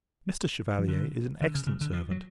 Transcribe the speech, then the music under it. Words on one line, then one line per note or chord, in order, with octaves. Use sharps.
Mr. Chevalier is an excellent servant.
F3
D3
D3
C#3
C#3
D3
F3
F#3